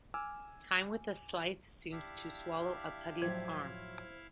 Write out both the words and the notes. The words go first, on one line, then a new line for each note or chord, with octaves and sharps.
Time with a scythe seems to swallow a putti's arm.
G#5 D6 E6 F6
D4 E4 G4 E5 F5
A2 F3 F#3 C5 G#6